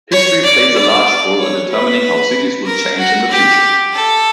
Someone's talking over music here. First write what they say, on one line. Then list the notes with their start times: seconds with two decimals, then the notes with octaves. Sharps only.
History plays a large role in determining how cities will change in the future.
0.12 C#5
0.44 D5
0.75 D5
1.39 C#5
1.71 B4
2.66 A#4
2.98 F#4
3.30 G4
3.94 A4